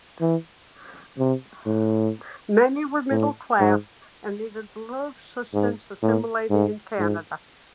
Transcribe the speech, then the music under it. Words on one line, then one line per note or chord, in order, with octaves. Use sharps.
Many were middle class and needed little assistance assimilating in Canada.
E3
C3
A2
A2
G#2
G#2
A2
G#2
G#2